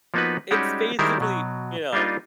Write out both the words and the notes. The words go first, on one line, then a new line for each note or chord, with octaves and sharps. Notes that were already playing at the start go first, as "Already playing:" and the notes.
it's basically, you know
F3 A#3 B3 D#4 F#4 B4
G3 G#3 C#4 D#4 F#4 G4
D#3 G3 G#3 E4 A#4 C5
B2 F#3
G3 A#3 D4 D#4 F4 D#5